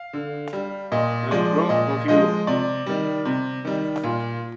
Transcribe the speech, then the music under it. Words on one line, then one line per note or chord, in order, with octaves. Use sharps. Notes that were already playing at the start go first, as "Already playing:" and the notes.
I'm proud of you.
Already playing: F5
D3
G3
A#2 D#5
F3 G#3 D5
A#2 D#5
F3 G#3 D#5
C3 D5
D#3 G3
C3
D#3 G3
A#2 F4